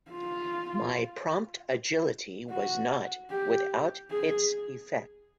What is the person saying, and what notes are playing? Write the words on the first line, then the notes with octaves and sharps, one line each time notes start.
My prompt agility was not without its effect.
F4
F#4
G4
G#4